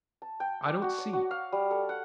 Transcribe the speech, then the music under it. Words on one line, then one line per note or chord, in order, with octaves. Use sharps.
I don't see.
A5
G5
D5
F#4
C#5
F#4
F5
G3
A4
F#5